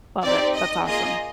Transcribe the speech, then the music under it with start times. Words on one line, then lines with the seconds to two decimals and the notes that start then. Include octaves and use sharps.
Love it. That's awesome.
0.23 C4 D#4 G4 D5
0.55 D#5
0.87 A#3 F4 G#4 D#5